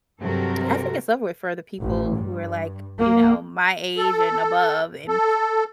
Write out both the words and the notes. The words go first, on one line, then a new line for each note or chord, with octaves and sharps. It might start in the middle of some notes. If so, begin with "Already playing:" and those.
I think it's over with for the people who are, like, you know, my age and above, and,
G2 C3 F#3 F#4 A4 A#4
A1
G2
A#3
A4
A4